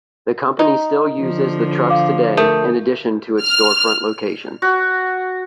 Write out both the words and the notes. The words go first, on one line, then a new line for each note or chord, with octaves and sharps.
The company still uses the trucks today in addition to its storefront locations.
D#4
D3 F3
F5 D6
A3 A#4 D#6 G6
F6
F#4